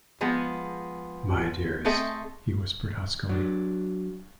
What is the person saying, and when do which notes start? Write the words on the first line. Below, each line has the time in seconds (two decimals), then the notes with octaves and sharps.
"My dearest," he whispered huskily.
0.21 F3 G#3 B3 G#4
1.85 A3 C4 G#4 A4 D#5 E5
3.29 F#3 D4